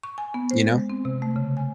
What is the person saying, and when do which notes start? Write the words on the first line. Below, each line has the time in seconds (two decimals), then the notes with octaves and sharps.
you know?
0.03 C#6
0.18 G#5
0.34 B3
0.51 C5
0.67 G#3
0.90 C4
1.05 C3
1.22 A3
1.36 C#3
1.57 G#5